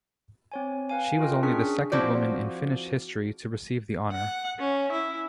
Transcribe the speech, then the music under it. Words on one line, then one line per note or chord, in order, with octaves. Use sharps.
She was only the second woman in Finnish history to receive the honour.
C4 C#5 G#5
B4 F5 G#5
F4 F#4 A#4 D#5 G5
C#4 D4 G#4 C#6 F6 B6
F3 C4 E4 F#4 C5 D5
F#5
C#4
E4